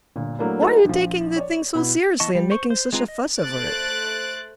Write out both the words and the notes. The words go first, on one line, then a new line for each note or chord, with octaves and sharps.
"Why are you taking the thing so seriously and making such a fuss over it?"
G1 A#2
F#3 A3 A#3 D4 E4
D#4 E4 F#4 A4 B4
A#1 F3
C#5 D5
B2 B3 E4
E3 B3 D#5 A5 C#6
G3
C5 C#6
C5
G#3 C4 F4 B4 A#5
D#5
A3 C5 F#6 A6 D7